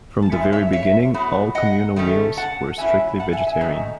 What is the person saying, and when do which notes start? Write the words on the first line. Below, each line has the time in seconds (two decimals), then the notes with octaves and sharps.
From the very beginning, all communal meals were strictly vegetarian.
0.22 A5
0.31 C#3 G#3 C#4 E4 E5 G#5
0.52 C#5 E5
0.73 C#5 E5
1.14 A2 F#3 B3
1.55 D#5 F#5
1.96 D#3 A3 C#4
2.37 F#5 A5
2.78 E2 B2 F#3 C#4 E4 E5 G#5
3.19 F#5 A5
3.33 E5 G#5
3.47 E5 G#5
3.61 F#2 D#3 A3 D#4